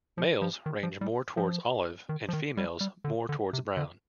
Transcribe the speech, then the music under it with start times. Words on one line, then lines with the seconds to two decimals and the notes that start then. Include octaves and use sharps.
Males range more towards olive and females more towards brown.
0.18 F3
0.42 F3
0.66 D#3
0.83 F3
1.01 G3
1.37 F3
2.09 D#3
2.29 F3
2.33 D#3
2.57 G3
2.81 G3
3.04 D3
3.29 D3
3.53 C3
3.77 D3